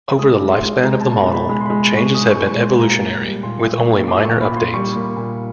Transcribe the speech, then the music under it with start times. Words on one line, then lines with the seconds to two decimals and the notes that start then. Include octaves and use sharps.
Over the lifespan of the model, changes have been evolutionary, with only minor updates.
0.19 G#3 D#6
0.35 D6
0.41 G#3
0.52 C6
0.63 G#3
0.83 G#3 A#5
1.01 A5
1.06 B2
1.17 A#5
1.27 B2
1.33 B5
1.49 G#3 B5
1.61 C6
1.66 G#3 B5
1.82 C6
1.92 G#3 C#6
2.14 G#3 D#6
2.31 G#3 C#6
2.47 C#6
2.57 G#3 C6
2.79 A#2 A#5
3.01 A#3
3.21 G3
3.43 A#2 C6
3.65 A#2
3.76 C#6
3.87 A#3
4.08 A#2 D6
4.25 A#2 C#6
4.41 B5
4.51 A#2
4.57 C6
4.74 G3 C#6
4.96 A#3
5.17 A#2